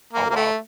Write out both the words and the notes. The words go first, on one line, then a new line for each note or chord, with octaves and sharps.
Oh, wow.
A#3
A#3
A3